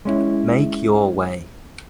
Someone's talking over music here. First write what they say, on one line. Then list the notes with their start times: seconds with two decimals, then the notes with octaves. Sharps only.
Make your way.
0.05 G#3 C#4 E4